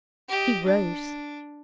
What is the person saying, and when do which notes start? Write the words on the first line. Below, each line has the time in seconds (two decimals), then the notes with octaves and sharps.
He rose.
0.29 G4 D#5
0.65 D4